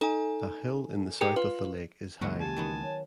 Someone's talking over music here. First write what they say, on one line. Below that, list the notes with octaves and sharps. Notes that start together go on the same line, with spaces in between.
A hill in the south of the lake is high.
D#4 A4 G#5
G4 G#4 A#4 C#7
F4 B4
C#2 C#3 E3 F#3 A#3 F#4
G4 G#5 A5
D#3 F#3 B3
C#5